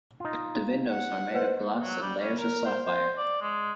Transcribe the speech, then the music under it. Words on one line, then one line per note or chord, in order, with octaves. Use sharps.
The windows are made of glass and layers of sapphire.
D#4 F4
F#5
B4 C5 D#5
F#3
G3
C#4
A#4
C5
C5
D5
G#3